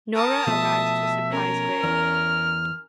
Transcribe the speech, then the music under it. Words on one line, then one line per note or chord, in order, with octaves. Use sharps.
Nora arrives to surprise Greg.
A#4 A5 D#6
B2 F3 A3 E5
C#4 A#4
E2 F6